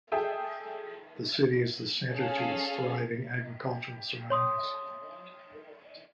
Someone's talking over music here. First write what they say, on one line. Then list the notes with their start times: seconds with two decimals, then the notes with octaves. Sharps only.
The city is the centre to its thriving agricultural surroundings.
0.12 G#4 A4 E5 G5
2.11 C#4 G#4 A4 F5
4.30 C#5 C6 D#6